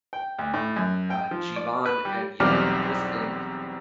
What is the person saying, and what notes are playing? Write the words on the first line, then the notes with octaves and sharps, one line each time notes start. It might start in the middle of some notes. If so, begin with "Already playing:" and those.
uh, Jeevan, and young Kristen
G5
D2
A2
F#2
G5
F3
D5
B4
G3
B1 E2 G3 C4 D6 F6